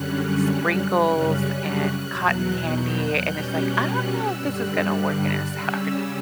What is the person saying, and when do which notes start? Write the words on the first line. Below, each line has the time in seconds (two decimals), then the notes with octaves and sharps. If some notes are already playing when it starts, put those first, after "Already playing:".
sprinkles, and cotton candy, and it's like, "I don't know if this is gonna work in a sourdough.“
Already playing: F#2 D3 G3 C#4 F#6
0.37 F#6
0.95 F#2 C#3 G3 C#4 F#6
1.23 F#6
2.09 E2 B2 F#3
2.67 G6
2.96 F#6
3.24 B2 G3 C#4 G6
3.53 F#6
3.81 F#6
4.09 E6
4.38 G2 D3 G3 F#6
4.96 F#6
5.52 C#3 G3 C#4 E6